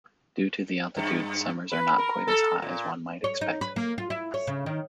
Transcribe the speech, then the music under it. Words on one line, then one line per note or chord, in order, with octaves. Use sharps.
Due to the altitude, summers are not quite as hot as one might expect.
G2
B4
A#4
A4
A#2
C#5
D#4
B4
A#3
F4
E4
C#5
C#3
D#3